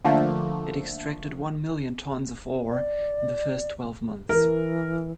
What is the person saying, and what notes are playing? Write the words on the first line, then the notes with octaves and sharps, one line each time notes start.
It extracted one million tonnes of ore in the first twelve months.
D3 F3 A3 A#3
D5
E3 A#4